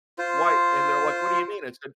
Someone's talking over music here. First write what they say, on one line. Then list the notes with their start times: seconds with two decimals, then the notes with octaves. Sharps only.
Why, and they're like, "What do you mean?" I said,
0.18 F4 C5